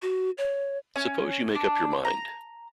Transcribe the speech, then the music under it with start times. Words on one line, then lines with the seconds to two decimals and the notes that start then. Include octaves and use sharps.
Suppose you make up your mind.
0.02 F#4
0.38 C#5
0.96 C#4
1.55 D4
2.05 A#5